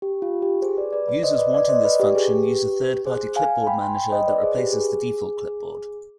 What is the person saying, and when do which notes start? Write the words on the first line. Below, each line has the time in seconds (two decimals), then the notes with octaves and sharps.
Users wanting this function use a third-party clipboard manager that replaces the default clipboard.
0.02 G4
0.22 F4
0.42 G4
0.62 G#4 C5
0.77 B4 D5
0.93 B4 D5
1.08 B4 D5
1.23 C5 D#5
1.38 B4 D5
1.54 B4 D5
1.69 C5 D#5
1.84 B4 D5
2.00 G4 B4
2.15 G#4
2.30 G4 B4
3.05 G#4 C5
3.36 F5 G#5
3.67 G5 B5
3.82 G#5 C6
3.97 G5 B5
4.12 C5 D#5
4.28 B4 D5
4.43 G#4 C5
4.58 G4 B4
4.73 G#4